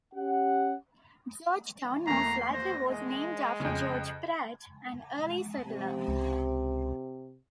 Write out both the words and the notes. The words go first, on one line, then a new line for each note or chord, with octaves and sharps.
Georgetown most likely was named after George Pratt, an early settler.
C#4 G4 F#5
E2 A3 A#3 A#5 C7
C5 A#6
G#3 D#5
F2 C#3
C3
C#2